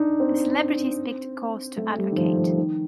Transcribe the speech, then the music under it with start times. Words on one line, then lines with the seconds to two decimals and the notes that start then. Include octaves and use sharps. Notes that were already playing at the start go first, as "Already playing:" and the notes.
The celebrities picked a cause to advocate.
Already playing: D4 D#4
0.20 C4
1.77 A3
1.98 G3
2.12 D#3
2.17 F3
2.37 F3
2.57 D#3